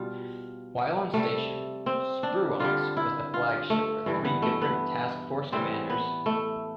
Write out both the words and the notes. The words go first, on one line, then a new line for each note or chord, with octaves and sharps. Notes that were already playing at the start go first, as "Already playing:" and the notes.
While on station, "Spruance" was the flagship for three different task force commanders.
Already playing: B2 G3 F4
C3 G3 A3
C4
D4
G2 D3 G3 F4
E4
F4
A3
G2 E3 G3
B3
A3
B3
A2 E3 G3 C4
B3
A3